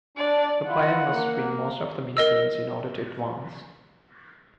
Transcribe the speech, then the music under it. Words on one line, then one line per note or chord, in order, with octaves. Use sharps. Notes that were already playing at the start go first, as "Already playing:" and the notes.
The player must win most of the minigames in order to advance.
D4 D5
E4 F4 F#5
A#3
A#4 D#5 E6